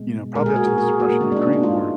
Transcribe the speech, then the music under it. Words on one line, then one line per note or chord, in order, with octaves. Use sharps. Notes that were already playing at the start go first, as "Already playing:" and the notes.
You know, probably up to this Russia-Ukraine war,
Already playing: B2 G#3
A#2 G#3 A#4
G#4
F#4
G#4
A#4
G#4
F#4
A#3
D3 G#3 B3
D4
D#4
D4
D#4
F4